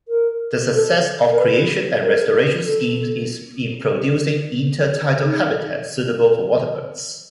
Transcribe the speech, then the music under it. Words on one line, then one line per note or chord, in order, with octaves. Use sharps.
The success of creation and restoration schemes in producing intertidal habitat suitable for waterbirds.
A#4
A4
A#4
B4
A#4
A4
D#4